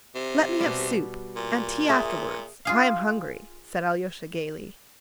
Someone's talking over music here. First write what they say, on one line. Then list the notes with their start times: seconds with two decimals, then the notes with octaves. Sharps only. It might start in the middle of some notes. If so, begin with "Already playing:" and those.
"Let me have soup, and tea afterwards, I am hungry," said Alyosha gayly.
0.15 C3
0.61 B2 G3
1.36 A#2
1.88 G#4 E5 A5
2.65 F4 G#4 F5